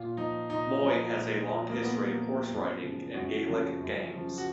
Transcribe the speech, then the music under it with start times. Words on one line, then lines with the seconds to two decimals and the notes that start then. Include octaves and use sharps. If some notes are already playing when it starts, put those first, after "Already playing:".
Moy has a long history of horse riding and Gaelic games.
Already playing: A#2 F4
0.17 F3 D#4
0.50 A#2 D#4
0.83 F3
1.16 A#2
1.49 F3
1.70 A#3
1.83 A#2 B3
2.16 F3
2.49 F#2
2.82 C#3 F3
3.14 F#2 F#4
3.48 C#3 F3
3.80 F#2
4.14 C#3 F3
4.38 F#4